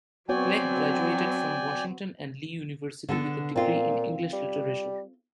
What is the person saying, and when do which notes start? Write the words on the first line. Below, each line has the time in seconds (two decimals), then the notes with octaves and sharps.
Clegg graduated from Washington and Lee University, with a degree in English Literature.
0.29 F#3 B3 C4 F#4 C#5 D5 G5 G#5
3.09 D3 B3 A4
3.56 A#2 C4 F4
4.33 G3